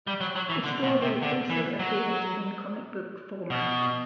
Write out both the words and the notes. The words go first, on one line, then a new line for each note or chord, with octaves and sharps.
The story also appeared in comic book format.
G3
F#3
F#3
E3
D3
B2
C3
D3
E3
F#3
B2